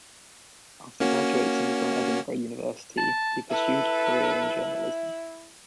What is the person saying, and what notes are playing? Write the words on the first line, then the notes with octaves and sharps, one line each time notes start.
After graduating from Edinburgh University he pursued a career in journalism.
A#3 C#4 F#4
A5
E4 A4 B4